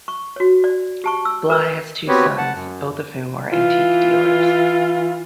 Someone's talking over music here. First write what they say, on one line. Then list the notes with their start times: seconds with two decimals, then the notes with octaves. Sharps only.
Bly has two sons, both of whom are antique dealers.
0.08 C#6
0.36 F#4 C#5
0.64 D5
1.04 G4 A5 C#6
1.25 E6
1.50 A#4 B4 E6
2.08 B3 C4 F#4 G4 B4 C#5
2.38 F#5 A5
2.54 F#2
3.52 E3 F4